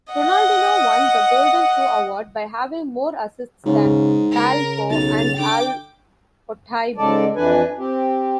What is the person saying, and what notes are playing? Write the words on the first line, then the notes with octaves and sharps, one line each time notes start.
Ronaldinho won the Golden Shoe award by having more assists than Blanco and Al-Otaibi.
D#5 F#5
G#2 C#3
C#3 A#4
B1 A6 F7
D3 G5 D6
G#2 C#3 G#3 A4 D5
F2 E3 D4 B4 G#5
C4 G4